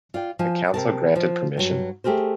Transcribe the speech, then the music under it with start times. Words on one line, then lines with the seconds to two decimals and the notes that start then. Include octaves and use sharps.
The council granted permission.
0.14 F4 D5 G5
0.39 F3 G#5
0.74 C3 A#4 A5
1.15 F3
1.57 G2 F#3
2.04 A3 G4 G#4 A#4 C5